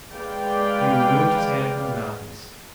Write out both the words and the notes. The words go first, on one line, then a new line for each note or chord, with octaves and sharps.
He removed his hand from the mouthpiece.
G#3 B4 D5 F5 G5